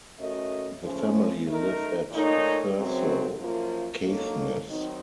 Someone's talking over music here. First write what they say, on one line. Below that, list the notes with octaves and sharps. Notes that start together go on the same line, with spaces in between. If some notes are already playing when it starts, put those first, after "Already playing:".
The family live at Thurso, Caithness.
A3 C#4 F#4 A#4 D#5
C#3 F3 A3 C#4
A3 D#4 A#4
A#2 A3 D#4 A#4 C#5
F#2 C#3 F#3 C4
F#2 F3 A#3 F4
F#3 A#3 D#4 A4 C#5
D#3 F#3 C4 D#4